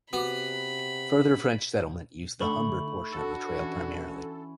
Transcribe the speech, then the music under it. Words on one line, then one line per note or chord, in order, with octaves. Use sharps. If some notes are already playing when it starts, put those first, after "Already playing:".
Further French settlement used the Humber portion of the trail primarily.
C3 B3 F#4 B5 D6
D3 A3 D#4 E5 B5 C#6 F#7
D4 F#4 A4
E3 C#4